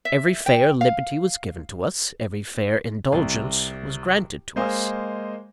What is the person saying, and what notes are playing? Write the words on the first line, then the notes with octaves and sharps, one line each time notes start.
Every fair liberty was given to us; every fair indulgence was granted to us.
E5
G5
F5
C2
G#3 A#3 C5 D#5 F5 G#5